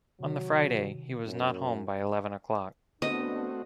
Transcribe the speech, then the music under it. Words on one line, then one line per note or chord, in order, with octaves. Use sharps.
On the Friday, he was not home by eleven o’clock.
C3 D#3 F#3
F#2 A#3
A3 B3 C4 D4 F#4 D#5